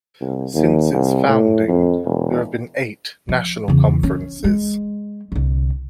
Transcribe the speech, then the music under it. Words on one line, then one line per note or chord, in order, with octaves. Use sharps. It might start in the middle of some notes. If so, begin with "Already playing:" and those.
Since its founding, there have been eight national conferences.
C2
D#2
C2
A2
F2
E1
F3
E2 C#3
C#4
G#3
C2 D3